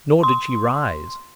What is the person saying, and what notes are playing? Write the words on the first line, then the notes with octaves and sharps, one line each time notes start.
Nor did she rise.
C6